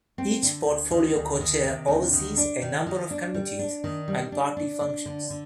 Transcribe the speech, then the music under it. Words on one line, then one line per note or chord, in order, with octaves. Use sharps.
Each portfolio co-chair oversees a number of committees and party functions.
C4
D3
D2
D#3
D2
D#3
C3
D2
D#3
D4
D#3
D#3
D4
G3
D4
D#3
G3
D4
D4
D4
D3
D3